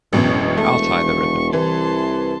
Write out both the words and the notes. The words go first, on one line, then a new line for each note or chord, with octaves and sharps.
I’ll tie the riband.
E1 A1 F#2 B2
A3 C#6
C2 E3 A5 C6